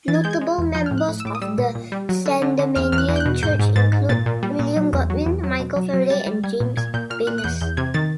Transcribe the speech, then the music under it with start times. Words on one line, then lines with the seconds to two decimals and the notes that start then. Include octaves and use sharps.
Notable members of the Sandemanian Church include William Godwin, Michael Faraday, and James Baynes.
0.08 E3 A6
0.15 G#6
0.24 G#3 G6
0.31 G#6
0.41 G#3
0.58 E2
0.75 F3 G6
0.86 A2 F6
0.98 F#6
1.08 A2
1.20 E6
1.25 A2 D6
1.35 D#6
1.42 G3 E6
1.58 A#2
1.75 A#2
1.92 G3
2.09 F#3
2.26 D3
2.42 D3
2.59 D3
2.75 E2 F6
2.92 E2 F6
2.98 F#6
3.08 E2
3.16 G6
3.20 F#6
3.26 B2
3.42 G#2 G6
3.59 G#2
3.76 G#2 A6
3.93 G#2
4.09 A#2 A6
4.26 A#2
4.43 G3
4.59 A#2
4.77 F#3
4.93 E2
5.10 F#3
5.26 E2
5.44 F#3
5.60 B2
5.76 F#3
5.94 F#3
6.10 G3 A6
6.27 G3
6.44 G3 G#6
6.60 A#2
6.77 A#2 G#6
6.94 A#2 G6
7.10 A#2 F6
7.27 A#2 F#6
7.38 F#6
7.44 E2 G6
7.61 E2 G6
7.77 C3 G#6
7.94 D#3 A6